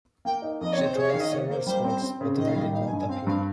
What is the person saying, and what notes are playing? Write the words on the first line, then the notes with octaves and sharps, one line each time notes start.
She tried several sports but they did not appeal.
A#3 G5
D#4
F2 D#5
C#5
C4
C5
G#4 C#5
D#3 F5
D#5
A#3 C#5
A#3 C5
G3 C5
C4 C5
C4
C#3
D#3 D#5
F5
G3 D#5
D#4 F5
G#5
G2
G#5
C4 F5
G2 F5